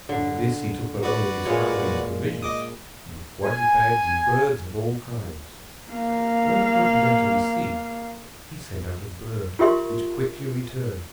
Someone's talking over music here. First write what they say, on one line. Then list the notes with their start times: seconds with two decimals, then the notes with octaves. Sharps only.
Into this he took not only his family and provisions, but quadrupeds and birds of all kinds. When the flood began to recede, he sent out a bird, which quickly returned.
0.09 D3
1.03 F#4 B4 D5
1.45 A#2 G#3 C#5
2.42 D#5 D6 D#6
3.44 G#5
5.90 A#3 F5
9.59 F4 G4 A#4 E5 C6 C#6